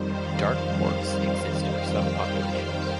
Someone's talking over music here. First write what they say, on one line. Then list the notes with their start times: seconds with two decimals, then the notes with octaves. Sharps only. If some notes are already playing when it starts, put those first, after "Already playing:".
Dark morphs exist for some populations.
Already playing: F2 D#3 G3 C5
0.10 F5
0.41 F5
1.64 G5